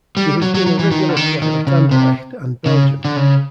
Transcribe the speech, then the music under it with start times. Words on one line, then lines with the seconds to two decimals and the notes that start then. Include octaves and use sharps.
He has been a regular player at Anderlecht and Belgium.
0.17 G3
0.42 F#3
0.55 F#3
0.66 F#3
0.79 E3
0.91 D#3
1.09 D3
1.17 D#3
1.42 D#3
1.67 C#3
1.91 C3
2.66 C#3
3.05 D3
3.16 C#3